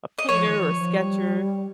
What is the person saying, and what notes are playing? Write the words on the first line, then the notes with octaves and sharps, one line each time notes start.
a painter or sketcher,
D#5
F3 C#5
D#3
F3
F3
G3